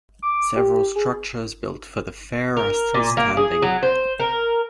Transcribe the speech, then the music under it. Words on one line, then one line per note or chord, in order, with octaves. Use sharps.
Several structures built for the fair are still standing.
D6
G4
G#4
A#4
A#2
A#3
G#4
F#3
C5
A#4